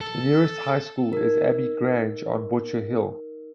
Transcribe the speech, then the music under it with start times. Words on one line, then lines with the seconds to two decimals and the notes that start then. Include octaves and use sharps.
The nearest high school is Abbey Grange on Butcher Hill.
0.01 A4
1.13 D#4 A#4